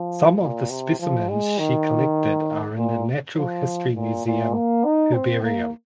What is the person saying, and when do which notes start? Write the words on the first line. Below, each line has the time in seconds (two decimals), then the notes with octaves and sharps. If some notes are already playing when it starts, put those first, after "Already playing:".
Some of the specimens she collected are in the Natural History Museum herbarium.
Already playing: F3
0.40 A#2
0.70 C3
0.99 F3
1.29 G#3
1.59 D#3
2.77 A#2
3.36 F3
3.95 A#2
4.25 A#2
4.55 A#3
4.85 D#4
5.14 C4
5.43 A#3